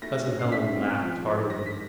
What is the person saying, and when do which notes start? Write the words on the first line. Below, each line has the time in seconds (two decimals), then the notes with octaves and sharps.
Cousin Helen laughed heartily.
0.02 A3 A#6
0.27 C#4
0.39 C7
0.52 A3 B6
0.76 C4
1.01 F3
1.25 G#3
1.50 D#3 A#6
1.66 B6